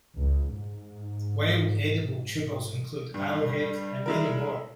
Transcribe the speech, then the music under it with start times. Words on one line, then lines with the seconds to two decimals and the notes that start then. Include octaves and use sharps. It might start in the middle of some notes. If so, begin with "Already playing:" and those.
Wild edible tubers include arrowhead, and many more.
0.19 C#2
0.54 G#2
3.14 G2 G3
4.06 G#3 E4 A#4